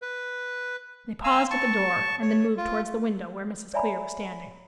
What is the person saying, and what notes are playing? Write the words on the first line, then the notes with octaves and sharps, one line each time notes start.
They paused at the door, and then moved towards the window where Mrs. Clear was standing.
B4
F5 G#5 A#5 E6
A5 C#6
C#5
F4
C#5 D5 E5 G#5 A#5 B5